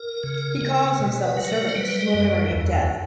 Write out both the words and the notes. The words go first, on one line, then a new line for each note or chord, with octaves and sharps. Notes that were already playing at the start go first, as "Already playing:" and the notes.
He calls himself a servant to a memory of death.
Already playing: A#4
C#3
C#3
B2
B4
F#3
B4
A#4
C5
G3 B4
D#5
F#2
E2